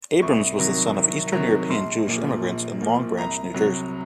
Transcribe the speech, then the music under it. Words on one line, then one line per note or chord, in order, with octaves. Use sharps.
Abrams was the son of Eastern European Jewish immigrants in Long Branch, New Jersey.
C2 C#6
C3 D#3 F#3
C2
C3 D#3 F#3
A#1 C6
A#2 F3
A#1
A#2 F3
C2 A#5
C3 F#3